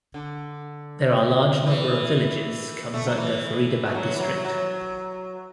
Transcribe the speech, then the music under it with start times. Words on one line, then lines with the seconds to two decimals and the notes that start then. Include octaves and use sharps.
There are large number of villages comes under Faridabad district.
0.14 D3
1.66 E3
2.94 A3
3.06 F#3
3.17 E3
3.86 A3
3.94 F#3
4.15 E3
4.20 F#3
4.44 F#3